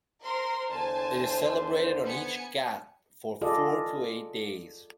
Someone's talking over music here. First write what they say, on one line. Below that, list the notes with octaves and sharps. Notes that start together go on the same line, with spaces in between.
It is celebrated on each ghat for four to eight days.
A#4 C5 C6
E2 D3 C5 G#5 A5
B3 G#5 C#7
F4 G#4 A4 D5 D#5